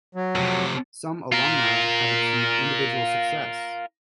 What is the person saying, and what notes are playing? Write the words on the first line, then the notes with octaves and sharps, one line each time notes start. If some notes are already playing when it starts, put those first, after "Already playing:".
Some alumni have achieved individual success.
F#3
F2 C3
F4 A#4